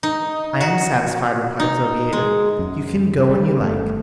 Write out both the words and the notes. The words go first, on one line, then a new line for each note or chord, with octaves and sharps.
"I am satisfied," replied Zobeida; "you can go when you like."
D#4
F#4
D#4
G#3
F#2
C#3 G3
G1 C3 A3